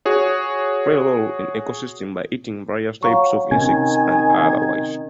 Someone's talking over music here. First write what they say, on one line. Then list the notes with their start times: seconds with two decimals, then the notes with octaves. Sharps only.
Play rolls in eco-system by eating various types of insects and otherwise.
0.05 F#4 G#4 C#5
3.03 F#3 F5 A#5 C#6
3.51 C3 D#3 C4 C#4 G#5